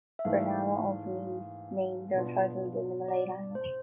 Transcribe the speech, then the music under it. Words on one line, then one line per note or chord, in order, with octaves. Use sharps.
Bernama also means "named" or "titled" in the Malay language.
E5
G#2 E3 A3 F5
B2 B3 D4 F4
D5
C5